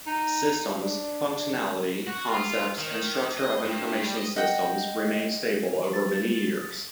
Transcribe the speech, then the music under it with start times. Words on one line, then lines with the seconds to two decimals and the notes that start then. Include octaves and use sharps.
Systems, functionality, concepts and structure of information systems remain stable over many years.
0.06 D#4
0.82 D4
2.07 F#4
2.29 F4
2.78 D#3
3.37 D#5
3.64 G2
4.02 G3
4.17 D#5
4.36 D#5 F#5 G5
5.93 A6